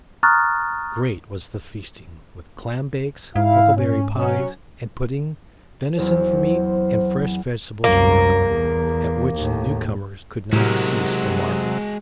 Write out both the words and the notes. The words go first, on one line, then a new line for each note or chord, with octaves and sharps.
Great was the feasting, with clam bakes, huckleberry pies and puddings, venison for meat, and fresh vegetables from our garden, at which the newcomers could not cease from marveling.
A#5 C#6 D#6 F6 F#6 A6
G#2 E4 F5
C#4
F#3 C#4
E2 F#3 C4 C5
C2 F#2 A#3
E2
D#2 A2
A2 C3 F#3 G#3 E4 F#4 G4 A#4